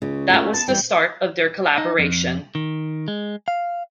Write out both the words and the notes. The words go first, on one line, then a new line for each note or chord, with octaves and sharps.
That was the start of their collaboration.
C#2 C#3
A3 C#4 F4
B3 A5
E3 G3 G5
D#4
F2
D#3
G#3
F5